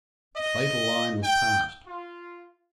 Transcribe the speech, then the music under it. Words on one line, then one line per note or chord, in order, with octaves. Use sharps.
The fatal line was past.
D#5
G5
F4